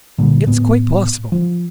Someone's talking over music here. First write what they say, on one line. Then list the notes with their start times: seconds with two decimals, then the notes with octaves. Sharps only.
"It's quite possible."
0.18 A#2 D3 G3
0.47 A2 B3
1.32 F3